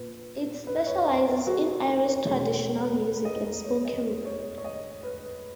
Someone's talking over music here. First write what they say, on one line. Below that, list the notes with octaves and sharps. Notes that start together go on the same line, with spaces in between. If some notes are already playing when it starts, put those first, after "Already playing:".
It specialises in Irish traditional music and spoken word.
Already playing: A#2 B4
B4
C#5
D#5
A#4
F#4
A#4
C#5
B2 G#3 C#5
A#4
B4
A#4
D#5
A#4
C#5
D#5
C#5
C#5
D#5
B4